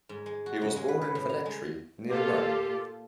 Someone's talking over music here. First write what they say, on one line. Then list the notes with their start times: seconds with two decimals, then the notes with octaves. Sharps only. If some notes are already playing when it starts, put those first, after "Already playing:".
He was born in Velletri, near Rome.
0.09 G#2
0.26 G#3
0.46 F#4
0.61 C#3
0.76 G#3
0.88 B4
1.01 B4
1.15 A2
1.29 A#5
1.45 G#3
2.09 A#2 F4 G4 A4